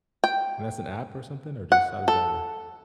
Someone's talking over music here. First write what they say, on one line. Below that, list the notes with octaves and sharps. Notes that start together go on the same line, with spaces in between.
And that's an app or something, or just how does that work?
G5
F#5
A4